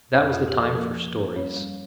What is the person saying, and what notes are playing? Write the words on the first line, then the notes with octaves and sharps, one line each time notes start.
That was the time for stories.
F2 C#4 C#5
F2 F4
G4
F3
A4
F3 A#3 A#4
F3
G2
G3 C#4 C#5
G3